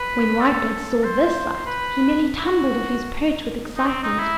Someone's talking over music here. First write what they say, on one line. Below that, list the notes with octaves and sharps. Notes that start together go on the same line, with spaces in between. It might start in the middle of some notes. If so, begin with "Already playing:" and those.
When Whitebird saw this sight, he nearly tumbled off his perch with excitement.
Already playing: B4
A4
C5
B4
E4
F#4
D#4
C4
D#4
E4